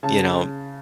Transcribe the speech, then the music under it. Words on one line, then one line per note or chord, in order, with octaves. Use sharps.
you know,
C#3 A5